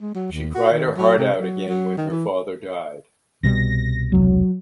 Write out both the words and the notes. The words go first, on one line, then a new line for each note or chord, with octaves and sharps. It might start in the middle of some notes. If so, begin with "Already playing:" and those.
She cried her heart out again when her father died.
G#3
F#3
D#2
F#4
D#3
F#3
C3
F#3
F#3
D#3
E3
C2 B2 G3 A#6
E1 C2 F#3